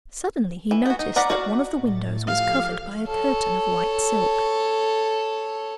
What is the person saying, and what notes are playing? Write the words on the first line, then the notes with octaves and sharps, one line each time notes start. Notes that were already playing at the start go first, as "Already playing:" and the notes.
Suddenly he noticed that one of the windows was covered by a curtain of white silk.
E3
B3 F#4
D#4
A#4 D5 F#5 A#5 B5
F#4 D5 F5
A2 A3 A6
F3 G4 A4 F5
A4 C#5